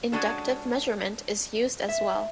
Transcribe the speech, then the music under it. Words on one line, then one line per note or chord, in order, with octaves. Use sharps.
Inductive measurement is used as well.
G#3 C#4 D4 F#4 A4
E5